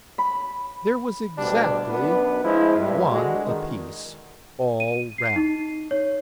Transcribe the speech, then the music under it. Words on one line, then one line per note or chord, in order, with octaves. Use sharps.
There was exactly one a-piece all round.
B5
D2 B2 G3 D4
F#2 B3 D4 B4
F3 G#3 E4
G2
D3 G#3 F#4
D#3
D#7
C7
D#4
C#5